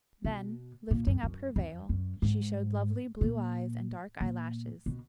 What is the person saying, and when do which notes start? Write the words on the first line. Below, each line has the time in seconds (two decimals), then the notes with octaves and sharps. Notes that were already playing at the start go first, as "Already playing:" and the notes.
Then, lifting up her veil, she showed lovely blue eyes and dark eyelashes.
0.25 B2
0.91 A#2
1.07 F#2
1.23 F#2
1.56 F2
1.89 F#2
2.22 G#2
3.21 A#2
4.21 A#2
4.86 B2